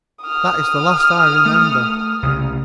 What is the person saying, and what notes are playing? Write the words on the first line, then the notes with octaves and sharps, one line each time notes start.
That is the last I remember.
D#6 F6
A3
C2 C#3